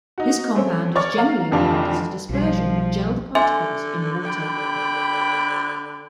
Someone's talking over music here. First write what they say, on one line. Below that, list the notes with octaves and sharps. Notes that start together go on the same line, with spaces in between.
This compound is generally applied as a dispersion of gelled particles in water.
D#4 F#4
A3 C4 C#4
C#5 D5 C#6 F6 A6
F5 A#5
F1 F2 D3 D4 F4 G4
B1 F3 G3
D3 E5 G#5 C6
G5 B5